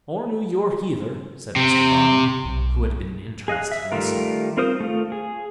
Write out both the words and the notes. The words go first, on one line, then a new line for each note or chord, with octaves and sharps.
"Or New York either," said Mr. Barnum, who had been an interested listener.
C3
B1
G#4 D#5 F5 F#6
E5
D#3 G3 A3 F4 A#4
C4 F4 A#4 C5 D#6
A3 F4
G#4